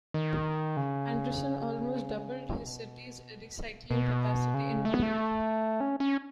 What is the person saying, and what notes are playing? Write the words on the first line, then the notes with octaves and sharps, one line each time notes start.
Anderson almost doubled the city's recycling capacity in one year.
D#3
C#3
B2
B2
C#3
A3
B3
A3
C#4
C#4